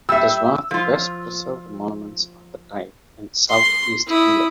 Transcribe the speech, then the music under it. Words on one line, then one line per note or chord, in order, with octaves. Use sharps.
It is one of the best-preserved monuments of this type in south east England.
G3 E5 E6
F3 F4
C6
E4 D#6